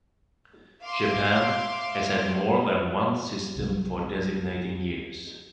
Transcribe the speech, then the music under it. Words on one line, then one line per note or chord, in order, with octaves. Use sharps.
Japan has had more than one system for designating years.
E5 F5 C6 D6
C2 C3 F#3